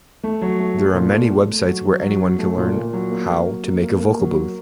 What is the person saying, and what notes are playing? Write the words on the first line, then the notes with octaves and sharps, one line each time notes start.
There are many websites where anyone can learn how to make a vocal booth.
A3
F#3
A3
A3
A#2
A3
A3
A3
F#3
F#3
F#3
F#3
A3
A#2
A#2
F#3
A#3
A#3
F#3
A#3
A#3
A#3
F#3
A#3